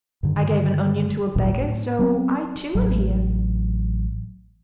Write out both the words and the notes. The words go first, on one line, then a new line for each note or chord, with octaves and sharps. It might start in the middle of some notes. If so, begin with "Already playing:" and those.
I gave an onion to a beggar, so I, too, am here.
G2 D3 D#3
G#1 D2 A#2 F#3
A2
F#3 B3 C4
A1 F#3